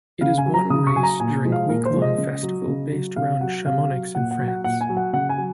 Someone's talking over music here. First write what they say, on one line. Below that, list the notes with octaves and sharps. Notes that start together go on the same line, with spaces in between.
It is one race during a week-long festival based around Chamonix in France.
C#3 F5
G#5
F#3
A#5
C#3 D#6
C#6
F#3 G#5
A#5
A#2 G#5
F3 G#3
F5
A#2 A#4
C5
F3 G#3
D#5
C#3
F#3
C#3
F#3
C3 F5
F#3 F#5
C3 F5
F#3
A#2 F#5
F#5
F#3
F#5
A#2 F#5
G#5
F#3
F#5
C#3 F#5
G#5
F#3